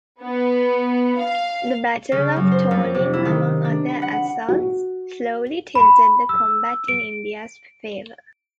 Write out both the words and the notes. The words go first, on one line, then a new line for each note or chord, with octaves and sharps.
The Battle of Tololing, among other assaults, slowly tilted the combat in India's favour.
B3
F5
C#3
F#2
C5
F2
C3
E4
D#3
D4
B5
F#5
F#4
B5
E6
D7